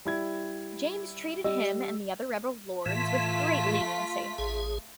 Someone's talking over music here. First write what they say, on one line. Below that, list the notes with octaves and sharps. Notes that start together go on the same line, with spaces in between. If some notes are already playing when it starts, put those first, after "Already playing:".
James treated him and the other rebel lords with great leniency.
G3 E4 G#6
G3 D#5 E6
A2 E3 A3 F4 B6
A1 G#4